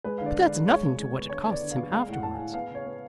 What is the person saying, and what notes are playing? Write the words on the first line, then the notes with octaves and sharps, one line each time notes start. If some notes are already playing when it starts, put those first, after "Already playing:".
But that's nothing to what it costs him afterwards.
G#3 B4
F5
D3
D5
G#3
D3 D5
G#3 C#5
C#3
G#3
B3
D3 C#5
B3
D5
D3
F5
B3
G#3 F5
A2 F#5
A2 A5
G#5
A2
B3 F5
C#3 C#5
B3